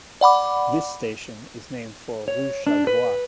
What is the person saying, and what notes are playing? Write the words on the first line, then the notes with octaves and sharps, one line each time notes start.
This station is named for rue Charlevoix.
D5 F#5 B5 D6
C#5
D4
B4